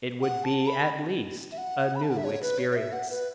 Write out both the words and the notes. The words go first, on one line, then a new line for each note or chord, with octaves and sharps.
It would be at least a new experience.
F#5
A5
B5
E5
F#5
B5
A5
F#5
E5
C#5
B4
C#5
C#5
E5
F#5
B4